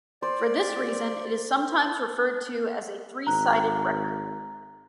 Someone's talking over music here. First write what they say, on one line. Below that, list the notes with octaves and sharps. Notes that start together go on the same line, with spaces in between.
For this reason it is sometimes referred to as a "three-sided" record.
C5 D5
G#1 A#5 F#6